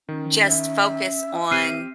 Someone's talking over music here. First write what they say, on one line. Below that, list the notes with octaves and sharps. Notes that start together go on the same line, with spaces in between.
just focus on
D#3 C#4
E5
C4 G4 F6 C7 D#7